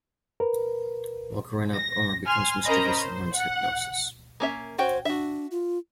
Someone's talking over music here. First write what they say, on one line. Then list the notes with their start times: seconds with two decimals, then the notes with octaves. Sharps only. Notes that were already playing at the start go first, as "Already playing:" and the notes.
While growing up, Omar becomes mischievous and learns hypnosis.
0.40 A#4 B4
1.74 A#6
2.25 G#5 C6 F6
2.64 C#4 A#4 C5 D#5 A#5 B5
2.99 C5
3.34 F#5
4.40 A#3 C#4 E5
4.78 C#4 F#4 C5 G5
5.05 D4 F#4 E5
5.51 F4